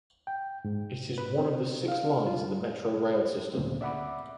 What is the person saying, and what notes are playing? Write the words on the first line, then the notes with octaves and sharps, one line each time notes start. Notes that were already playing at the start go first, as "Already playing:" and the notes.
It is one of six lines in the Metro Rail system.
G5
G#2
B4
C4
F5
F4
D2 A#2 C#3 A#3 C4
D5 E5 F#5 B5 D6